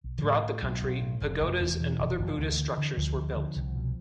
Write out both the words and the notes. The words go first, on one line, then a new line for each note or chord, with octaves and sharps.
Throughout the country pagodas and other Buddhist structures were built.
B1
A2 D3 F3
E3
A2
B1
B1
A2
F1
F1
E2
B2 E3
F1
F1
D2
D3
D3
D2 D3 F3
D2
D3
C2
B2